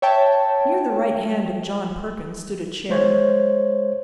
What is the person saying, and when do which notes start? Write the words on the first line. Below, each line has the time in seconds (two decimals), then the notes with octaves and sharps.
Near the right hand of John Perkins stood a chair.
0.02 C#5 E5 G5 A5
2.90 G#3 C5 C#5